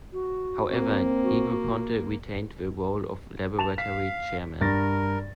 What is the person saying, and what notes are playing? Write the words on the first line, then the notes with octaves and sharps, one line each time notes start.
However, Negroponte retained the role of laboratory Chairman.
F#4
A#3 C4
F#4
A5 E7 F7
F5 B6
G2 A#4 A6 A#6